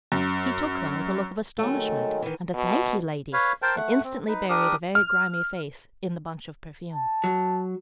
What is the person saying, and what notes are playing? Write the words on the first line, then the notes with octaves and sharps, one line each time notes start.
He took them, with a look of astonishment and a "Thank ye, lady!" and instantly buried a very grimy face in the bunch of perfume.
F#2
D#3 F#3 G#3 A3
D#3 E3
B2
B4 C#5 F5
A#4 C5 G5 A5
A3 F#5
C4
D#4 B4
D4 G4 A#4 D#6
F6
A5
F#3